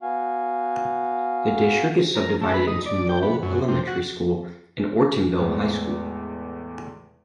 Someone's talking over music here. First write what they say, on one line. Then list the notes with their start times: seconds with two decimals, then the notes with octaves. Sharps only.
The district is subdivided into Knoll Elementary School and Ortonville High School.
0.02 B3 F#4 F5 G#5
2.15 A#4
2.41 A3
2.54 B4
2.67 D#4
2.86 D5
3.09 G5
3.23 B3
3.43 F#2
3.68 C3
3.87 F#4
5.38 E2 A2 G#3 B3